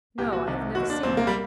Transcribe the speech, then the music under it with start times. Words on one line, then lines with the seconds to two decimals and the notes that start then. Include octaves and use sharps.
"No, I have never seen him."
0.18 C2 A#2 G4
0.32 F#4
0.47 C2 C3 D#3
0.75 D#2 D#3 F#4
0.90 D4
1.03 C2 A#2 C4
1.17 A#3
1.27 G3